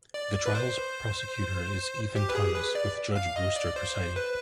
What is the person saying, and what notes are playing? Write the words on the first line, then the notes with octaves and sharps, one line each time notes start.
The trial's prosecutor is Ethan Thomas, with Judge Brewster presiding.
D5
B4
C5
G4
B4
G#4
B4
D5
F5
D#5
D5
C5
B4